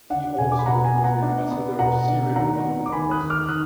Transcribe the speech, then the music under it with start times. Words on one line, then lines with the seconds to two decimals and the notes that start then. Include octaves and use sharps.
He also was the ambassador of Syria in London and Brussels.
0.10 D4 F#5
0.38 B2 G#5
0.52 D6
0.59 B5
0.66 B2 F#5 A#5
0.85 G#5
0.94 B3
1.04 F#5 A#5
1.22 D4
1.51 B3
1.79 B2 F#5 A#5
2.08 D4
2.35 D#3 F#5 A#5
2.64 B3
2.86 D6
2.92 D#3 G#5 B5
3.11 D#6 F#6
3.21 D#3
3.30 D6 F6
3.49 D#3 D#6 F#6